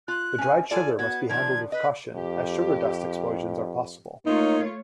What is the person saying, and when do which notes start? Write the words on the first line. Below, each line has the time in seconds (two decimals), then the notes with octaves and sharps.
The dried sugar must be handled with caution, as sugar dust explosions are possible.
0.08 F4 F#6
0.38 C#4 G#5
0.71 F4 A4 D5 G#5
0.99 B3 F#4 G#6
1.30 D#3 F3 D4 G#6
1.72 B4 D#5
2.16 F2 G4
4.26 A3 A#3 D#4 F4 C#5